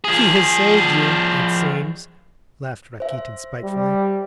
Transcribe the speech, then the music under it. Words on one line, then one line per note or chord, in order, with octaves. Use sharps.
"She has saved you, it seems," laughed Rakitin spitefully.
F3 G#4
C5 E5
G3